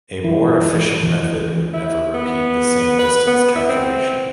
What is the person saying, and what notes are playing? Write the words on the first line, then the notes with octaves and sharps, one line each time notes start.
A more efficient method would never repeat the same distance calculation.
E3
E3
E4
B3
B4
B3
E4
C4